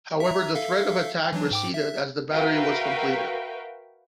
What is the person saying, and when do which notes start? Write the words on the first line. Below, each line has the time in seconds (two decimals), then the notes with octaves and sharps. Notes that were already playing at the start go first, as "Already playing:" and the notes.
However, the threat of attack receded as the battery was completed.
0.20 E5 A#5
0.55 A4 E5 F5
1.33 E3 F#3 D4
1.51 G#2 G5 D6
1.74 E5
2.32 F#4 A#4 B4 E5 F5 G5